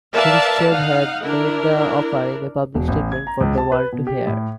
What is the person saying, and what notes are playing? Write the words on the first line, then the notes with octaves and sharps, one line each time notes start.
Khrushchev had made the offer in a public statement for the world to hear.
A#4 B4 D5 E5 F5 A5
D#4 F5 F#5
D4 E4 A#4
E1
A1
G#6
A#5
C#2
A5
B4
B2
G4
A2